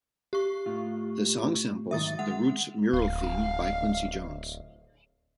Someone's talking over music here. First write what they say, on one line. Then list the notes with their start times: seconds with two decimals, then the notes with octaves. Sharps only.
The song samples "The Roots Mural Theme" by Quincy Jones.
0.33 G4 C#6
0.66 A2 F4
1.91 G#2 D#3 F#3 E5 D#6 A6
2.19 G#3 F#5
2.93 D1 F5